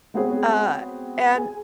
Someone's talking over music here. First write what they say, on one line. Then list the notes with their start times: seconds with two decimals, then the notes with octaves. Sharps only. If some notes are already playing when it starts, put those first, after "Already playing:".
uh, and
0.14 G#3 B3 C4 F#4 G#4 C#5
1.35 G#4 G#5